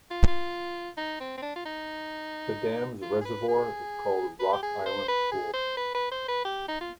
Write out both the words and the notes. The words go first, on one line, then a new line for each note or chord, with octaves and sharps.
The dam's reservoir is called Rock Island Pool.
F4
F4
D#4
C4
C4
D4
F4
D#4
F4
G#4
B4
G#4
B4
G4
G#4
C5
B4
G#4
C5
B4
B4
C5
B4
G4
D#4
F4